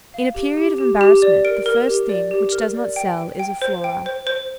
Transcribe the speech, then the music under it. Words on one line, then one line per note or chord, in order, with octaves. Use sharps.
In a period of embarrassment, the first thing which does not sell is a Flora.
F5
G4
G4
G4
G4
D5
A#4 D7
A#4
G4
D5
G4
A#4
D5
G5
G5
G5
C5
G5
C5
C5